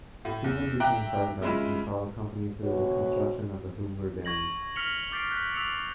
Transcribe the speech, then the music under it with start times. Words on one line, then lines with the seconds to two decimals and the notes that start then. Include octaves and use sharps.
Stephen became president and saw the company through the construction of the Hoover Dam.
0.25 A2
0.44 E2
0.80 E5 G5 A#5 D6 F#6
1.42 C#3 G#3 E4 F4 B5 E7
2.64 D2 B2 F#4 B4 C#5
4.25 C#6 G#6 A#6 F#7
4.76 F6 B6 C#7 F7 G7
5.12 D6 G6 A6 B6 C7 D7
5.31 F#6 G6 B6
5.54 E6 F6 B6 C#7 F7